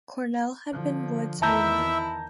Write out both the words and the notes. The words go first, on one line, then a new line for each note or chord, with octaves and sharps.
Cornell had been Wood's roommate.
D3 F3
E2 D#3 E4 E5 A5 A#5 G6